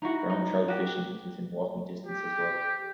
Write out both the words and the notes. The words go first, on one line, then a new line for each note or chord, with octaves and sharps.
Brown trout fishing is within walking distance as well.
D#4 E4 F#4 F#5
D#4
F#4 G4
G4